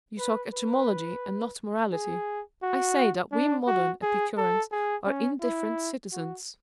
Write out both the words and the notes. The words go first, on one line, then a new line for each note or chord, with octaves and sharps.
"You talk etymology and not morality; I say that we modern Epicureans are indifferent citizens."
B4
B4
G#4
F#4
D4
F#4
G#4
A4
G#4
C#4
E4
F#4